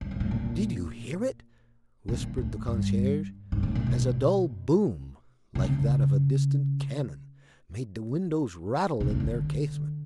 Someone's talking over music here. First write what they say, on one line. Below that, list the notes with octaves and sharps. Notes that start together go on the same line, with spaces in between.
"Did you hear it?" whispered the concierge, as a dull boom, like that of a distant cannon, made the windows rattle in their casements.
G2
G#2
A2
A#2
A#2
A2
G2
G#2
A2
A#2
B2
C3
C#3
C3
C#3
D3